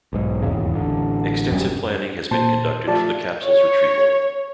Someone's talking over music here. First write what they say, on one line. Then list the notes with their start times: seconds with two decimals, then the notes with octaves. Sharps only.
Extensive planning had been conducted for the capsule's retrieval.
0.13 B1 G#2
0.42 D#1 G#1 E2 C#3
0.74 A1 D3
1.50 E1 F#2 G3 C#4
2.31 A#2 C5 A5
2.87 F3 A3 D5 A5
3.45 C#5